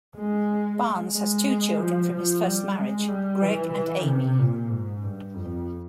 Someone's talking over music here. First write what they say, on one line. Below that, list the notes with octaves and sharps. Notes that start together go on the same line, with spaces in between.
Barnes has two children from his first marriage, Greg and Amy.
G#3
G#3
F3
F3
G3
G#3
G3
E3
E3
C3
A#2
G#2
G2
F2